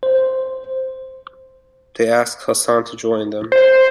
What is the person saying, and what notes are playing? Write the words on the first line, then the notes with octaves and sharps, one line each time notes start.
They asked Hassan to join them.
C5
C5